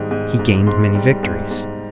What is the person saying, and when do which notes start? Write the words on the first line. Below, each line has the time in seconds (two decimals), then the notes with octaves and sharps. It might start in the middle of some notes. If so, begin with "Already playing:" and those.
He gained many victories.
Already playing: G#2 D#3 G3 D#6
0.11 G#2
0.39 G#2
0.67 G#2 C6
0.95 G3
1.23 G#2
1.51 G#2